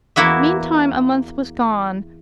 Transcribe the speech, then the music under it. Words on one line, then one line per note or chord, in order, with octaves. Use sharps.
Meantime a month was gone.
E2 A#3 E4 F#4 E5